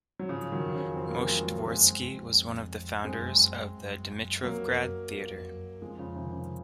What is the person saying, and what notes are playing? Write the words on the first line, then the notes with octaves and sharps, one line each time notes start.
Moshe Dvoretzky was one of the founders of the Dimitrovgrad Theatre.
F#3
G#2 C#3 F3
D#3 F#3
F2
C#3 F3
C4
A#3
F3 G#3
F#3 A#3
F#2 G#3 C4
F2
F#2 G#3 C4
F#2
F2 F#3 A#3
F#2
F2
F#2
F2 F3 G#3
C#3 F3
C3 D#3
C#3